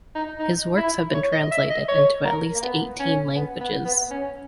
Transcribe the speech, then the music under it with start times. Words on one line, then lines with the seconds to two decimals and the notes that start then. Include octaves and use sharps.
His works have been translated into at least eighteen languages.
0.15 D#4
0.39 D#4
0.77 E4
1.14 C#5
1.32 D#5
1.51 E5
1.70 D#5
1.88 C#5
2.24 A#4
2.55 A#3
2.63 B3
2.99 C#4
3.36 B3
3.60 B3
3.85 B3
4.11 C#4